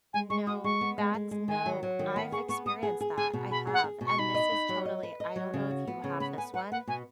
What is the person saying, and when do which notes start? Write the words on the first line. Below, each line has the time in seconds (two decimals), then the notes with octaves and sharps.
No. That's no, I've experienced that, I have, and this is totally I don't know if you have this one,
0.13 G#3 G#5
0.30 G#3 C#6
0.47 F#4 D#6
0.64 G#3 C#6
0.81 B3
0.98 G#3
1.14 G#3
1.31 G#3
1.48 D#3 G#5
1.66 F#3
1.83 F#3
1.99 D#3
2.16 B3 B5
2.32 G#4 C#6
2.49 B3 C#6
2.66 B3 D#6
2.83 G#4
3.01 G#4
3.17 G#4 G#5
3.33 B2
3.51 G#4 B5
3.67 G#4
3.74 F#5
3.84 G#4
4.01 B2
4.07 C#6
4.18 D#4 B5
4.34 D#5
4.52 D#4
4.69 F#3
4.85 D#5
5.03 B4
5.20 D#5
5.36 F#3
5.54 C#3
5.71 F#4
5.87 B3
6.04 C#3
6.20 B3 B5
6.37 B4 G#5
6.54 B4 F#5
6.72 B4 F#5
6.87 B2 G#5